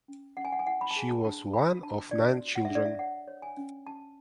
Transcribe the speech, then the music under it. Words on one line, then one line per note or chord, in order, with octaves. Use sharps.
She was one of nine children.
C#4
C#4 F#5
G#5
F#5
G#5
E4 F#5
B5
A5
G#4 G#5
A5
D4 A5
C#5 B5
D4 A5
D4 D5
F#4
F#5
E5
D4
D5
E5
C#5 F#5
C#5
G#5
C#4
C#4 A5